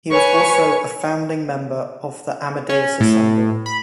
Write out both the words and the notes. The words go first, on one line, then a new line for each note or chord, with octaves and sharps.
He was also a founding member of the Amadeus Ensemble.
B4 C#5 G#5 C#6
C#4
A2
B5